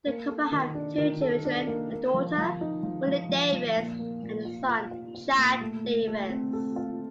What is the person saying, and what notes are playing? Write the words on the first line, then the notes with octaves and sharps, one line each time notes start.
The couple have two children: a daughter, Whitney Davis, and a son, Chad Davis.
A#3
A4
D#3
D4
D#3
A4
D4
A#3
A#3
F3
F3
D#4
F3
F3
F3
F3
A#2
A#3
A#2
F4
F4
F4
F4
A#2
A3
A3
A3
C4
A4
F4